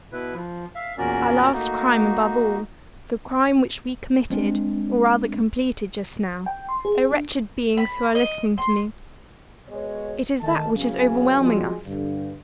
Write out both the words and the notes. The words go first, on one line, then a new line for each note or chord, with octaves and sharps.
Our last crime, above all, the crime which we committed, or rather completed, just now--O wretched beings who are listening to me--it is that which is overwhelming us.
B2 E4 B4
F3
E5 F5
E2 A#2 C#4 F#4 A#4 D5
A3 A#3 D#4 F#4
G#3 C4 D4
G5
C6
G#4
D4
B5
D#5
C6
B2 G#3 B3 C#5
D#3 A3 A5
F#2 C#3 E3 B3 C#4
F3 G3 G#3 C4 F#4 G4
G2 D3